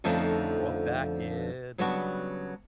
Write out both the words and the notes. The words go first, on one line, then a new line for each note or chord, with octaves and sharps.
brought back in, and
F2 D3 F3 A3 C#4 D#4
C#3 F#3 G3 B3 D4 F#4